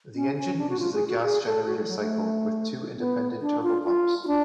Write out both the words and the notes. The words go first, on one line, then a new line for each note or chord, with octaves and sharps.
The engine uses a gas generator cycle with two independent turbopumps.
C#4
C#4
D4
F#4
F4
G#4
F#4
G#4
A4
F#4
G#3
F3
F#3
A3
B3
D4
F4
F4
F4
D4